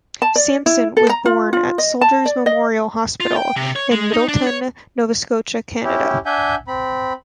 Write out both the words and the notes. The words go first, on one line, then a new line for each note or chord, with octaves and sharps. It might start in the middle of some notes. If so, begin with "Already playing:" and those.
Sampson was born at Soldiers Memorial Hospital in Middleton, Nova Scotia, Canada.
A5
D5
E4
A4
A#5
F4
F4
D#5
A5
D5
D#5
F4
G5
C3
C#5
G#3
D#4
D4
C#5
C#4 E4 G4
D4 E5 F#5 G#5 G6
C4 B5